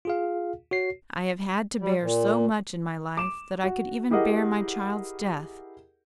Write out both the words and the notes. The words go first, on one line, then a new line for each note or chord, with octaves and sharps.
I have had to bear so much in my life that I could even bear my child's death.
F4 G#4 F5
F#4 C#5 C7
G3
A#2
D6 E7
F#4
E4 G4 G#4 A#4 D#5 F#5